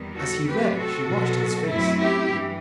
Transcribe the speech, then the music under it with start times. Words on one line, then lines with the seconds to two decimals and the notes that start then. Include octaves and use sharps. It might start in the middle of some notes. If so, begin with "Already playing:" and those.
As he read she watched his face.
Already playing: E2 D#3 G3 B3
0.16 F#4 A4
0.47 C3 F#3 A3 C4 G4 B4
0.77 F#4 A4
1.08 B2 F#3 B3
1.68 F#2 F#3 A3 C4 E4
1.99 E4 G4
2.29 G2 E3